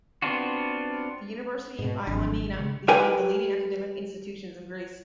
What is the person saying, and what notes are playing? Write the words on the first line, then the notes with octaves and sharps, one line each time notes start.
The University of Ioannina is one of the leading academic institutions in Greece.
B3 C4 D4 F4 F#4
G#2 B2
G#1 F3 F#3 D4
C#3 G#3 C#7
G4 A#4 B4 G5 G#5